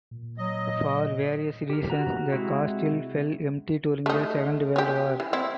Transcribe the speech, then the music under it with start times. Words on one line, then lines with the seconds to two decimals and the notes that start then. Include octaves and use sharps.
For various reasons the castle fell empty during the Second World War.
0.11 A#2
0.38 F#3 D#5
1.70 G4 A#4
1.90 F#4 A#5
2.32 C3 G#3 E4 F#4
4.06 A3 D#4
4.76 C#4 G4
5.20 E3
5.33 C4 E4